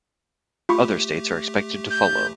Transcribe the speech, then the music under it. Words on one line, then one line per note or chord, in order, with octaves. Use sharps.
Other states are expected to follow.
A3 F4 G4 B5 C#6
G6